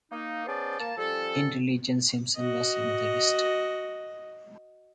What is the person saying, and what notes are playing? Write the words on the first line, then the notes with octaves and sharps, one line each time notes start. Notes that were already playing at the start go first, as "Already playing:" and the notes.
In religion, Simpson was a Methodist.
A#3 D#4
B3 C#4 G#4 C5 D5 A5
A#3 A5
F3 G3 C#4 A4
F#4 D#5